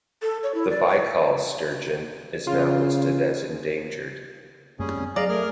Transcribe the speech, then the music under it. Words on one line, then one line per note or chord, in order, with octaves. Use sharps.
The Baikal Sturgeon is now listed as endangered.
A4
C#5
E4
D5
C#5
C#3 F4
F#2 G3 A3 A#3 C#4 G#4
B3 C4
F#3 G#4 D5 D#5 F5 A#5
A3 G#4 A#4 F6